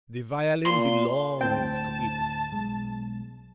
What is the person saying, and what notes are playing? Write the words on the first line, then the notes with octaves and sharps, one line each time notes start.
The violin belongs to Italy.
A#2 C6
D2 A2 C4 G5 A5
B1 G#3